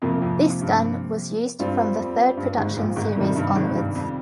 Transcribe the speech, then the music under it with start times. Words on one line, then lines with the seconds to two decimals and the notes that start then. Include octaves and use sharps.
This gun was used from the third production series onwards.
0.02 F2 C3 F3 A#3 F4
0.22 F2
0.61 G2
1.59 G2 G3 C4 F4
1.98 F2
2.37 G2
2.57 G#1 G#2
2.76 A#1 A#2
2.96 G#1 G#2
3.16 F2 C3 D#3 G3
3.36 G2
3.55 G#1 G#2
3.75 G2
3.95 F2